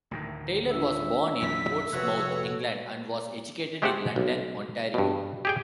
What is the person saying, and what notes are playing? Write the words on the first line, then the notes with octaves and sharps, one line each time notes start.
Taylor was born in Portsmouth, England, and was educated in London, Ontario.
D2 A2 D#3
D4 F4 E5
B1 F#2 E3 B6
F1 F#4 B4 C#5 F#6
A4 B4
G#3 A3 G4 C5 E5 F#5
B1
G2 B2
G4 G#4 G5